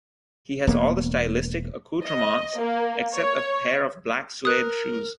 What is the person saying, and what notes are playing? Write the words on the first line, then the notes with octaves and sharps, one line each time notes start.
He has all the stylistic accoutrements, except a pair of black suede shoes.
E1 A#3 B3
D#5
A#3
C#5
A#4 D#6 F#6